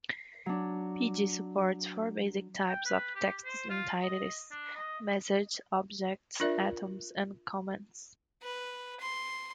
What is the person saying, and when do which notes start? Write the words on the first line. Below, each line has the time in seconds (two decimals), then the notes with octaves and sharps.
Pd supports four basic types of text entities: messages, objects, atoms, and comments.
0.46 F#3 D4
2.69 G5
2.85 B4
3.15 G4
3.45 C5
3.70 F4
4.03 D#5
4.51 D4
4.75 D#5
6.40 D4 F4 A#4 D5 E5
8.42 B4
9.00 C6